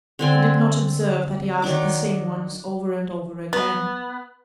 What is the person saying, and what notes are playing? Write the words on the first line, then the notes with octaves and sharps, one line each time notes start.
He did not observe that he asked the same ones over and over again.
D3 C4 G#5
D#3 F#3 D4 D6
B3